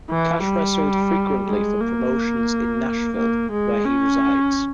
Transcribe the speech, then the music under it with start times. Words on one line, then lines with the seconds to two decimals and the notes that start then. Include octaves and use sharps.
Kash wrestled frequently for promotions in Nashville, where he resides.
0.11 E3
0.44 G3
1.46 G#3
1.80 A#3
3.17 A#3
3.51 G#3
3.85 C#4